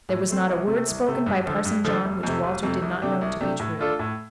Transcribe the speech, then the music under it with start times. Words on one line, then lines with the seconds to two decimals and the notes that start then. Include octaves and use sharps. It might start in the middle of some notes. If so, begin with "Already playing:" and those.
There was not a word spoken by Parson John which Walter did not know to be true.
0.09 A2
0.29 A3 C4
0.49 C2
0.67 C3 A3
0.87 C2
1.06 C3 A3
1.26 G2
1.46 D3 F3 A3
1.65 G2
1.84 D3 F3 A3
2.05 F1
2.23 F2 C3 A3
2.43 F1
2.63 F2 C3 A3
2.82 C2
3.02 C3 A3 D4 G4
3.21 C2
3.41 C3 A3 D4 G4
3.60 A2
3.79 A3 D4 F4 A4
3.99 A2